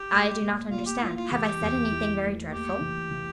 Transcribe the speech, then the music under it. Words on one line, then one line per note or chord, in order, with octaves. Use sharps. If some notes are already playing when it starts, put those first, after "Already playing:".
"I do not understand; have I said anything very dreadful?"
Already playing: G4
A3
A#2
A#2 F4
G4
E4 F4
F4
E3 G4
E2
E4
A3
A#3 G4
E3
E3